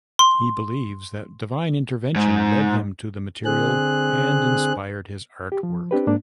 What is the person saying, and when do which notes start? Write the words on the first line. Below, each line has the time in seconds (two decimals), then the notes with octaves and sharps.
He believes that divine intervention led him to the material and inspired his artwork.
0.19 C6
2.16 G#2
3.45 D3 C4 G#4 F#6
5.52 G4
5.63 F3
5.91 C4 D4 G4 B4
6.07 G#2 A#3 D4